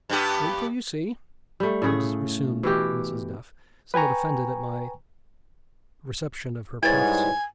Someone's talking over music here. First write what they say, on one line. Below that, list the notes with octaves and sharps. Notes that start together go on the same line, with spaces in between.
"Wait till you see," resumed Mrs. Duff, somewhat offended at my reception of her prophecy.
G2 B3 G4
G3 A3
A2 C#3 A3 G#4
B2 E3 G4
B4 G5 G#5 A#5 C#6
G#2 G3 E4 B4 C#5 G#5 G#6 A6